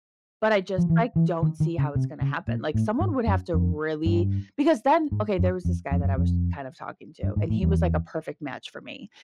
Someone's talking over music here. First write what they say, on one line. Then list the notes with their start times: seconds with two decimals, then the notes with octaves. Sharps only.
but I just like don't see how it's gonna happen. Like someone would have to really because then okay, there was this guy that I was kind of talking to, and he was like a perfect match for me.
0.78 F3
0.89 E3
1.16 E3
1.42 D#3
1.60 D#3
1.78 C#3
1.95 C3
2.21 C#3
2.48 A#2
2.74 A2
3.00 G#2
3.27 F#2
3.54 F2
4.06 G2
5.12 G#2
5.39 F#2
5.65 F2
5.91 F2
6.04 F#2
6.18 F2
7.23 G2
7.36 G#2
7.50 A2
7.62 E2